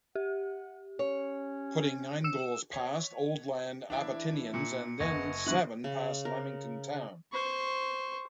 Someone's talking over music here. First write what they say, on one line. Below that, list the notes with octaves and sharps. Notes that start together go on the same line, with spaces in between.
Putting nine goals past Oldland Abbotonians and then seven past Lymington Town.
G4 F#5
C#4 C#5
E6 E7
C#5 B6
E3 D4 E4 D7
A#2 C#7
F#1 B3 D#5 C#6 G#6 A#6
B2 D3 F#3 E4 C#6 F#6 F#7
C#3
A#4
C5 C#6